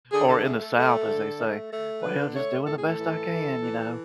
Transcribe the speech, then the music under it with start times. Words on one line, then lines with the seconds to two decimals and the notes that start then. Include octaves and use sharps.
Or in the South, as they say, "Well, just doing the best I can, you know,
0.12 D3 G#4
0.28 A4
0.43 A3 G#4
0.60 A4
0.76 A3
1.08 D3
1.39 A3
1.71 A3
2.02 D3 B4
2.35 A3 C#5
2.66 A2 A4
2.77 G#4
2.87 A4
2.98 E3
3.30 E3
3.61 E3